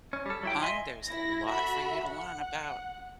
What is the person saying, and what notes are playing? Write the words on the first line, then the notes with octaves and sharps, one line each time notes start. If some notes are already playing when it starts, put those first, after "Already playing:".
hon, there's a lot for you to learn about
C#4
G3 A4
F#3 E4 G5
D#5 E5 G#5 C6
E4 A#6
F#4 A4 E5 B5
F#5